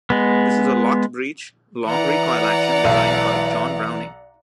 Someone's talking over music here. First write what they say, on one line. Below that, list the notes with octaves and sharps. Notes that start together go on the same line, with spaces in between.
This is a locked-breech, long recoil action designed by John Browning.
G#3 B3
E3 D5 F#5 A#5
B1